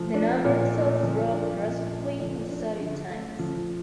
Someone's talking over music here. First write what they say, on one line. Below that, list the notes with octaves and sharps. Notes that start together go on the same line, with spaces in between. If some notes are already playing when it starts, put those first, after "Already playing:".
The number of cells dropped drastically in the Soviet times.
Already playing: F3 A3
D4
A#2
A3
F3
D4
A#2
A3
F3
D4
D3
A3
F3